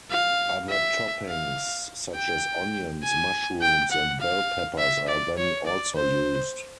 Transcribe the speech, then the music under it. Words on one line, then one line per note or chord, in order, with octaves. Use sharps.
Other toppings such as onions, mushrooms and bell peppers are then also used.
F5
E5
F5
G5
G#5
G5
F#5
F5
E5
D5
C#5
D5
C5